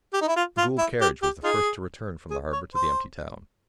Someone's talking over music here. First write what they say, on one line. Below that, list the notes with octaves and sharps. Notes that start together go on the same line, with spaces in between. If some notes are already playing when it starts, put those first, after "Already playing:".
The Gould carriage was the first to return from the harbour to the empty town.
G4
D#4
E4
F4
F4
E4
G4
G4
D#4 F4 G#4
G#4
C#5
C5